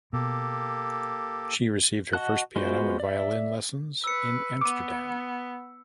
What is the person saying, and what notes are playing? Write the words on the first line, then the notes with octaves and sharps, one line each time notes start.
She received her first piano and violin lessons in Amsterdam.
B2 A#3 G4 A4
F#4 D#5 F#5 A5 F#6
G#3 B3 F4 F#4 C5
D5 E5
B4 E6 C#7
B3 D6 D#7